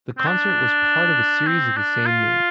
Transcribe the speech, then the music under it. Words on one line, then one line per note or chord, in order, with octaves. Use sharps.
The concert was part of a series of the same name.
C4
D4
C4
D4
F4